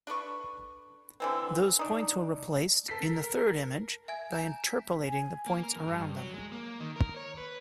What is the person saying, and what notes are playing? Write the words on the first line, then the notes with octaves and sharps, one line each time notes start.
Those points were replaced, in the third image, by interpolating the points around them.
D4 A4 B4 C#6
D3 E3 C4
D4 D#4
A4 A#4 B6 C7
E5 G#5 G#6
G#5 A#5 G6
B6
G#5
A#3
A#4
F2
G2
F#3
G#3
A#3
D#3
A#4
C#5
B4